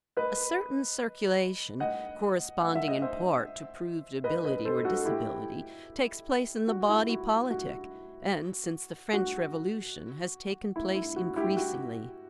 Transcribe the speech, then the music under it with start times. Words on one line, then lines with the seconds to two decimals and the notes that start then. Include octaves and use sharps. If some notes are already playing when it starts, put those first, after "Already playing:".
A certain circulation, corresponding in part to proved ability or disability, takes place in the body politic, and, since the French Revolution, has taken place increasingly.
0.17 B4 D#5
1.80 D#5 F#5
2.62 F#5
2.75 E5
2.88 D#5
3.02 C5 E5
4.24 B4 D#5
4.44 B4 D#5
4.65 A4 C5
4.85 F#4 A4
5.05 E4 G4
6.68 F#4
6.88 E4
7.09 F#4
7.50 F#4
9.13 F#4
10.76 E4
10.95 E4
11.16 F#4
11.36 E4 G4
11.57 F#4